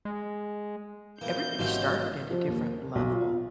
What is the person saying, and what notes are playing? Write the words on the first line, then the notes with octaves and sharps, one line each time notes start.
everybody started at a different level
G#3
B2 E3 A#3 G6
G#1 C3 F#3 C#4 F5
F3
D#2
B1
F4